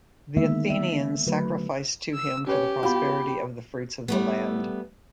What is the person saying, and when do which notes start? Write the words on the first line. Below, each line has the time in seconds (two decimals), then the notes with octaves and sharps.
The Athenians sacrificed to him for the prosperity of the fruits of the land.
0.37 D3 D#3 G#3 A#3 B3 E5
0.70 E5
1.26 D3 F#3 A3 B4
2.14 E6
2.47 C#4 G4 B4 C#5
2.83 B3 F4 F#4 G5 B5
4.08 G3 A3 B3